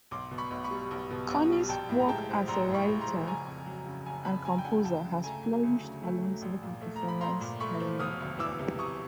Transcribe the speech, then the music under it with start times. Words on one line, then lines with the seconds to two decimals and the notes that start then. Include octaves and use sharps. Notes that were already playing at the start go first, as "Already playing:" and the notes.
Connie's work as a writer and composer has flourished alongside her performance career.
0.11 B1 C6 D6
0.31 B2
0.38 B5 C#6
0.51 B1
0.64 B5 C#6
0.71 G3
0.91 B1
1.10 B2
1.30 B1
1.49 G3
1.69 A#1 G5 A5
1.89 A2
1.99 A#5
2.08 G#3 G5 A5
2.29 F3
2.48 A#1 A#5 C6
2.68 A2
2.74 B5 C#6
2.88 G#3
3.01 A#5 C6
3.07 F3
3.27 F#1 G#5 A#5
3.47 F2
3.66 F#3
3.86 C#3
4.06 F#1 G#5 A#5
4.25 F2 A5 B5
4.45 F#3 G#5 A#5
4.58 G5
4.65 C#3 F#5 G#5
4.85 D2 G5 A5
5.05 C#3
5.24 A3 G#5 A#5
5.44 F#3
5.63 D2
5.83 C#3
6.03 A3
6.22 F#3
6.42 A#1
6.63 A#2
6.81 A3
6.96 A#5
7.02 F3
7.08 B5
7.21 A#1 A#5 C6
7.41 A#2
7.60 A3 B5 C#6
7.80 F3
7.99 E1 D#6 F6
8.20 D2
8.39 E3 D6 E6
8.59 C3
8.79 E1 C#6 D#6